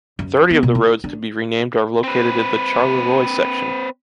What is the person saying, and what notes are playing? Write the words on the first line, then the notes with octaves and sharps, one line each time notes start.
Thirty of the roads to be renamed are located in the Charleroi section.
F#2
B3
B2
E4
D4
C4 B4